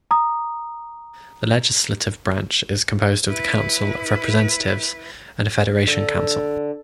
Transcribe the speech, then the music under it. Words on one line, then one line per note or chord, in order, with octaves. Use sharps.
The legislative branch is composed of the Council of Representatives and a Federation Council.
A#5 D#6
E4 B4
D3